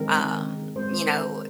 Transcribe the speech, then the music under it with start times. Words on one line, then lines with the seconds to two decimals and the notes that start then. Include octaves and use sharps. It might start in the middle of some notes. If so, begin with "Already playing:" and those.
um, you know,
Already playing: D#3 G#3 C4 A#4
0.76 D#3 G#3 C4 C5
1.06 A#4